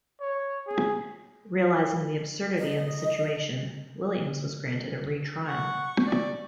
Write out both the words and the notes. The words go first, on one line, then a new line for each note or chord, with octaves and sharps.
Realising the absurdity of the situation, Williams was granted a retrial.
C#5
G#4
D#5
F#5 C#6
D5